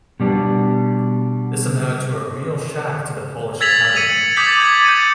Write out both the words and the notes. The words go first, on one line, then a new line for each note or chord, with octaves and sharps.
This amounted to a real shock to the Polish economy.
B2 G3 D4
E6 G#6 A6 B6 F7 F#7
A6 C#7 D#7 F7 F#7
D6 D#6 G6 A6 B6 F#7
D6 G#6 F#7
G6 A6 C#7 D#7